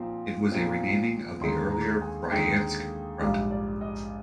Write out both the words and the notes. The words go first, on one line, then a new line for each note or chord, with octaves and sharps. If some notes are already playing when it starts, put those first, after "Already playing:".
It was a renaming of the earlier Bryansk Front.
Already playing: A#2 F3 C4 D#4 C6
A#2 F3 C4 D#4
D#2 D3 G#3 D#4 C6
A#5
G#5
D#2 D3 G#3 D#4 G5
A#1 G#2 G3 D4 F5
D5
D#5